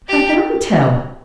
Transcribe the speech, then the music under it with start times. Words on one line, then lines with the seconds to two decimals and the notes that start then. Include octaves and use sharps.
"How can I tell?"
0.09 G4